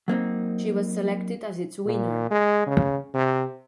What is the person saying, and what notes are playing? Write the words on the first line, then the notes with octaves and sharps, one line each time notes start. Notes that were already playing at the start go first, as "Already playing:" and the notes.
She was selected as its winner.
F#3 A#3 C4 D#4
A#2
G#3
C#3
C3